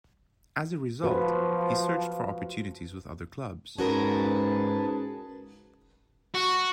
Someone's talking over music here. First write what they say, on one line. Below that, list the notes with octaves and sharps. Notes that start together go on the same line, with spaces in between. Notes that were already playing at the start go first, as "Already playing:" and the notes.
As a result, he searched for opportunities with other clubs.
F3 F#4 B4
G#2 C#4 F#4 G#4 A#4 B4 A5
F#4